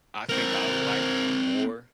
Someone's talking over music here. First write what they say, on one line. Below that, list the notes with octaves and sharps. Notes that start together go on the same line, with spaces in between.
I think I like more
C4 A#4